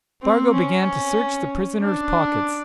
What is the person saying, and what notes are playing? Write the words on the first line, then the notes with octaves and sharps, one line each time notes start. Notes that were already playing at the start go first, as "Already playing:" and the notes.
Spargo began to search the prisoner's pockets.
C4
C#4
D4